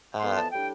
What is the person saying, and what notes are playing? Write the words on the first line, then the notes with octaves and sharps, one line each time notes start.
uh, eh,
F2 E3 B3 C6
A5
A2 G3 D4 G5